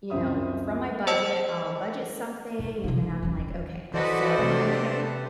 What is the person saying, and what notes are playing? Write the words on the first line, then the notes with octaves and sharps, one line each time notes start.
you know, from my budget, I'll budget something, and then I'm like, "Okay, so I can aff"
C#2 F#2 C4 E5 D#6
C5 D#5 A5 E6
G#2
C#3 D#4
E3
D#1 C#4
E3 F#4 A4 B4 C5 D5 D#5
C3 A3 D4
B4